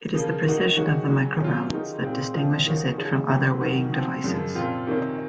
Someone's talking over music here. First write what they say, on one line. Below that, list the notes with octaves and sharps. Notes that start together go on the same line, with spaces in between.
It is the precision of the microbalance that distinguishes it from other weighing devices.
C#3 F3 A#3
D#3 A#3 D#4 F#4
D#3 G#3 C#4 F#4
C#3 F#3 C#4
C3 F#3 C#4 F4
D#3 G#3 D#4 F#4
A#2 G#3 C4
A#2 F3 C4 F4
D#3 A#3 C#4 F#4
C#3 F3 G#3 C#4
F2 C#3 F#3 C4
D#3 F#3 C#4 F#4
F3 C4 F#4
F#2 C#3 F3 G#3
A#2 F3 C4 F4
C3 D#3 A#3 C#4